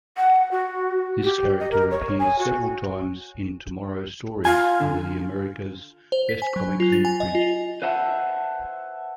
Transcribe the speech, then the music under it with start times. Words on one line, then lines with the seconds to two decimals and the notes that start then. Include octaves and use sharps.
This character appeared several times in "Tomorrow Stories" under the America's Best Comics imprint.
0.17 F#5
0.51 F#4
1.23 G4
1.60 D#5
1.71 A#4
1.91 C#5
2.19 G#5
2.39 F#4
4.45 F4 G#5
4.80 D3
6.12 C5
6.29 B6
6.42 G#5
6.56 F#3
6.80 F4
6.92 A6
7.05 G#5
7.20 D#5
7.35 F4
7.82 B4 C5 E5 F#5 A5